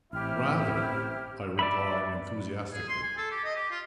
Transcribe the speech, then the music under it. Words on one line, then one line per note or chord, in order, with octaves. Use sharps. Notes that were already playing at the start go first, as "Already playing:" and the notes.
"Rather!" I replied enthusiastically.
A1 C4 E4 G4 F6
D5 E5 B5
G#4
C6
G#5
A4
G4
D#5
G4
F4